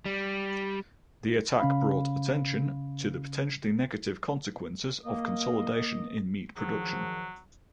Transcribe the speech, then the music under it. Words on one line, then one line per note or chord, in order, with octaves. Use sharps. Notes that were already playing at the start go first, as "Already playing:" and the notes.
The attack brought attention to the potentially negative consequences of consolidation in meat production.
G3
C#3 C#4 F5 B5
A#3 D#5
G#2 D#3 F3 F#3